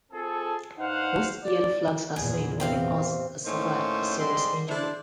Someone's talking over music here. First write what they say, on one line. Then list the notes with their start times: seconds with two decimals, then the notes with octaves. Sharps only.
Most yellow flags are seen when a horse has suffered a serious injury.
0.12 C4 F4 G#4 A4
0.78 G2 D#4 C5 F5 F#5
1.43 D5
2.16 E2 A#2 G#4
2.60 C3 C4 F5
3.45 A2 A#3 C#4 D#4 C5
4.18 G#2 G3 G#3 C4 G4 C6
4.67 D4 E4 C5